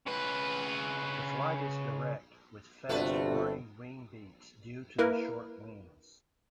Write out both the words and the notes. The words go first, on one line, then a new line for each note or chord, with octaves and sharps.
The flight is direct, with fast whirring wing beats due to the short wings.
C#3 B4
G1 C3 A3 D4 F4 F#4 B4
A#3 E4 A#4 B4